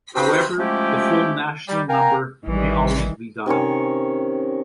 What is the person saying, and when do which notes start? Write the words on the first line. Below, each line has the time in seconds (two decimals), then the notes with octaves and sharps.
However, the "Full National Number" "may" always be dialled.
0.15 C4 D#4 F#4 G4 B4 C5
0.59 F3 G#3 A3 C#4 E4 G4
1.68 G3
1.89 A#4 F5 G5 G#5 A#5
2.47 A1 D#3 E3 G3
3.46 C3 D#3 C#4 C#5